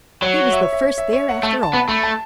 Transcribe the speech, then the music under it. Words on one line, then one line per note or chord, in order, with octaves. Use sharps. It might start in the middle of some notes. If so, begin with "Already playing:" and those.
He was the first there after all.
F#3 C#5
E5
C#5
E5
C#5
E5
C#5
F#5
A3 A5
A5
B3 B5
A3 B5
A5